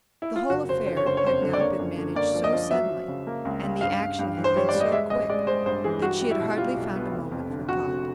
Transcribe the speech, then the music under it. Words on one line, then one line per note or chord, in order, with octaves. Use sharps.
The whole affair had now been managed so suddenly, and the action had been so quick, that she had hardly found a moment for thought.
E4
F4
F#1 F#4
F#1 C5
D3 C5
C#5
F#1 C5
C#5
F2 C5
D3
D5
A#3 C#5
F#2
D3
A#3 D5
F3
D#5
F3
F#3 E5
F#3
C#3
A#3
C#2
C#3
G2 F5
G2
G2
E3
C5
G3 C#5
D5
G3
D#5
G#3 E5
A1 D#5
G#3 D5
G#3 C5
G2 C5
E3 G#4
G3 F#4
G3
E4
B2
G3 F4
B1
B3
F1
F2
D3
F2 F#4
F1